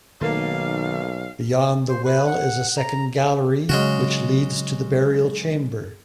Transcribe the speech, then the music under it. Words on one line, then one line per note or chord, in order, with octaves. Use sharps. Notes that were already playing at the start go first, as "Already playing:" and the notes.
Beyond the well is a second gallery which leads to the burial chamber.
B1 D#3 A3 A#3 F5
C5
B4
F#5
A#5
C#3 F#3 G#3 C#4 F#4